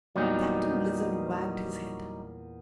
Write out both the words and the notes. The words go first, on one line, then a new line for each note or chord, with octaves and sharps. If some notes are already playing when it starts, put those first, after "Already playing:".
Captain Blizzard wagged his head.
E2 A#2 F#3 G3 D#4